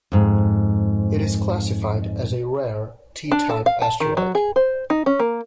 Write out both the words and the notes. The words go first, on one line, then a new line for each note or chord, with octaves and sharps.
It is classified as a rare T-type asteroid.
F2 G#2
D4
A4
F5
A5
D#3
F#3
G#4
C5
D#4
C#4
A#3